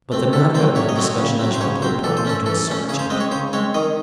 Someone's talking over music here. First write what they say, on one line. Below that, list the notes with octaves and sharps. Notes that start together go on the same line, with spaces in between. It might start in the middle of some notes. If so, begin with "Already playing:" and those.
But the matter of that discussion I shall put apart into a separate chapter.
A3 C4
C3 A4
F#3 A3 C4 C5
C3 C#5
D#5
F#3 A3 C4 C#5
C#3
F#3 C4
C5
C#3 C#5
F#3 C4 C5
E3 A4
C5
A3 C#4 A4
E3 A4
A3 C#4
C#3 G#4
C5
G#3 C4 D#5
C#5
C#3 C5
G#3 C4 C#5
D#3 D#5